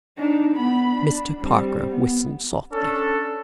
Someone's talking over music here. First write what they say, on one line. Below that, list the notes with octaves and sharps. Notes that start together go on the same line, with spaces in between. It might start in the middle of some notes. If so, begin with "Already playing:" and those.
Mr. Parker whistled softly.
D4 D#4
B3 B5
D4
G3 C4
B3
C#4 D4 A4